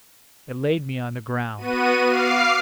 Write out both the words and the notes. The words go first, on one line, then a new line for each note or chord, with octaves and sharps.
It laid me on the ground.
B3 F#4 D#7
F5 D6 F6 C7